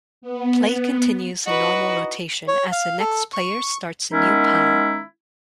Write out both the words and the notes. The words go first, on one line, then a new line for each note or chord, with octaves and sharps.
Play continues in normal rotation as the next player starts a new pile.
B3
D#4 E4 F#4 B4 D#5
C#5
F5
A4
C#6
D#3 G#3 B3 C#4 D#4 E4